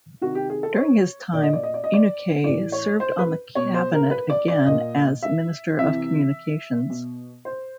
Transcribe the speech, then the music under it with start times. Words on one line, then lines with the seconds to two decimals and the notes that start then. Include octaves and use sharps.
During his time, Inukai served on the cabinet again as Minister of Communications.
0.21 C3 D#3 F#4
0.35 G4
0.49 G#4
0.63 A4
0.73 C5
0.78 C#5
1.33 A#2 D5
1.43 D#5
1.53 D5
1.63 D#5
1.74 D5
1.84 D#5
1.94 D5
2.44 A2 E3 D5
2.72 C#5
3.00 C5
3.19 B4
3.55 B2 C#5
3.74 C5
3.93 A#4
4.11 B4
4.30 D5
4.48 D5
4.66 A#2 D#5
5.23 E5
5.79 C3 E3 E5
6.90 B2
7.45 C5